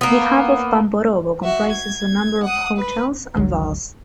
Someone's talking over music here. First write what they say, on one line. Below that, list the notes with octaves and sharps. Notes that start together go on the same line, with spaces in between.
The hub of Pamporovo comprises a number of hotels and bars.
A#3 B3
F#4 E5
G#6
F#5 D#6
B4
G#1 D2 D#3 F#3